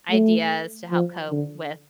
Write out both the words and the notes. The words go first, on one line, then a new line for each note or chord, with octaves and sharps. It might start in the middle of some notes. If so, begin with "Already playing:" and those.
ideas to help cope with,
A3
F3
D3